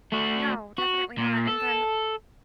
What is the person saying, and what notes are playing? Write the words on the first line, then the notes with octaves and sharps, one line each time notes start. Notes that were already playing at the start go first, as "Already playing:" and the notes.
No, definitely not. And then
A3 F#4
F#4
A#2
A4